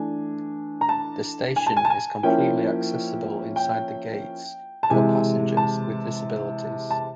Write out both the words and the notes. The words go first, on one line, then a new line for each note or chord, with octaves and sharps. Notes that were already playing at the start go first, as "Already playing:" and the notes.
The station is completely accessible inside the gates for passengers with disabilities.
Already playing: E3 A3 D4 G#5
A#5
A5
G#5
A5
G#5
A5
G#5
F3 A#3 C#4 E4 G5
G5
A5
C3 E3 G#3 G#5
A5
A5